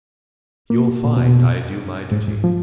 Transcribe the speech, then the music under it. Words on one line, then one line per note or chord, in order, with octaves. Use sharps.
"You'll find I do my duty."
A#3
A#2
B2
G#2
G#2
F3